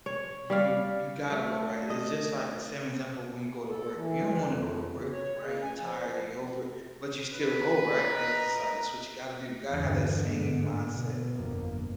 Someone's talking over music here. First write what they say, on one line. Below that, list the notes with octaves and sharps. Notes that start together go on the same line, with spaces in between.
you you gotta go, right? It's just, like, the same example when you go to work. You don't wanna go to work, right? You're tired. You're over it, but you still go, right? ‘Cause it's just like that's what you gotta do. You gotta have that same mindset
C#5
G3 D5 F5
A3
D#5
A4
E3
F2
C#3
C#5
C#3
G#5
F3
B4
A#4 D#5
E2 G2 D3
G#2 D3 G#3
B2
G1 F2 B2 A#3